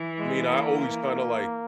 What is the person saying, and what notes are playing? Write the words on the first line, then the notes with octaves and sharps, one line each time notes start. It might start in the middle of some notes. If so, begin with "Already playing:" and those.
I mean, I always kinda, like
Already playing: E3
G#3
A#3